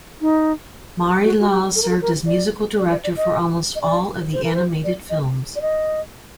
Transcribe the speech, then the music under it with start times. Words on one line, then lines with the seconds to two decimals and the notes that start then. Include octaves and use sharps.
Maury Laws served as musical director for almost all of the animated films.
0.21 D#4
1.24 F#4
1.40 F#4
1.49 G4
1.75 A4
1.82 A#4
1.89 A4
2.02 A#4
2.26 D5
2.79 D5
2.91 D5
3.04 D5
3.17 D#5
3.75 D#5
3.82 D5
4.33 C5
4.44 A#4
4.55 C5
4.84 D5
5.10 D#5
5.56 D5
5.62 D#5